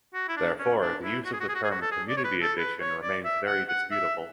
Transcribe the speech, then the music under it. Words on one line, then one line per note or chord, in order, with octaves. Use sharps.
Therefore, the use of the term "community edition" remains very disputable.
F#4
E4
D4
C#4
D4
E4
F#4
G#4
F#4
G#4
F#4
G#4
F#4
A4
G#4
D5
C#5
B4
A4
B4
C#5
D5
E5
F#5
F#5
E5